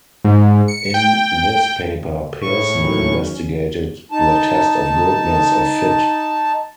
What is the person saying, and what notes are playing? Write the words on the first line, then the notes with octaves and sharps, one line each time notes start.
In this paper, Pearson investigated the test of goodness of fit.
G#2
C#7
G5
A2 C#6
D#3 F#3 C#4
D#4 A5